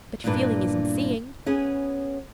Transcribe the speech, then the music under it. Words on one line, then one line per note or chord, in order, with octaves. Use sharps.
But feeling isn't seeing.
E2 G2 A#2 D4 B4
B3 C#4 G#4